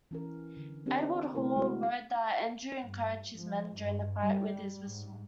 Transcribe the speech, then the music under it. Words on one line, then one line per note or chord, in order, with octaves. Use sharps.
Edward Hall wrote that Andrew encouraged his men during the fight with his whistle.
E3 C#4 A#4
D3
B3 C4 D4 G4 A#4
C3 A3 B3 E4 A#4
G#3 E4 F#4
G2
F3
G2
G3
G#2